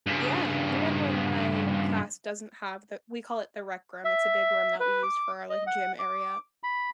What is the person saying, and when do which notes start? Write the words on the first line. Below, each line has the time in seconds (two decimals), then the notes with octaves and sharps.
Yeah, even when my class doesn't have the we call it "the rec room", it's a big room that we use for our, like, gym area.
0.07 G2 C#3
4.04 E5
4.80 B4
5.03 D6
5.50 D#5
5.67 F#5
5.99 D6
6.63 B5